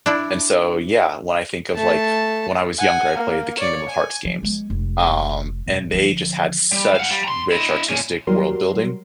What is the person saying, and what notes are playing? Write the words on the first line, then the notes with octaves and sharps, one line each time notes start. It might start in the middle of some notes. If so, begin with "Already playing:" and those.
and so, yeah, when I think of like, when I was younger, I played the Kingdom of Hearts games, um, and they just had such rich artistic world building,
D4 E4
A3 A5
F#5 G#5
A#3
C#5 D5
G#5
F3
G#3 B3
F1
E1 F#2
D3 F3
G3
F5 F#5
G3
A#5 C6
E4 D#5
A#2 C#4
F#3 G3 A#4 C6